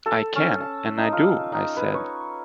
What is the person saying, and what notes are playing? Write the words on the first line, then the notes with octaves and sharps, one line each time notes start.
"I can, and I do," I said.
A4
C#4
A5
D#4
F4
D#4
B4
C#5